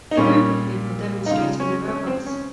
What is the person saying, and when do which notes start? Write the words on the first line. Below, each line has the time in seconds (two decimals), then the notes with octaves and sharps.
A group of people demonstrating their robots.
0.11 D#4
0.17 A#2 G3 A#3 C#4
1.26 D#4
1.31 C#3 G#3 F4
1.60 C#4
1.88 C#4
2.07 C4
2.26 C#4